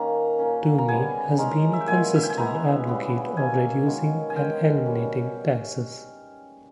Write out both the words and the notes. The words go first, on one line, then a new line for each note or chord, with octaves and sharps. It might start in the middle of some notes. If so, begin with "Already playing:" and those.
Toomey has been a consistent advocate of reducing and eliminating taxes.
Already playing: D#3 A#3 C#4 A#5
A#2 A#3 C#4
A#5
C#3 G3 B3 G#5
D#3 G#3 C#4 A#5
E5
G5
A#2 G#3 B3 G#5
E5
G5
G#5
E3 G#3 B3 A#5
C#3 G3 B3
B2 A#3 C#4 G#5
D#3 G#3 B3
G#5
D#3 G#3 C#4 G5
B2 G3 C#4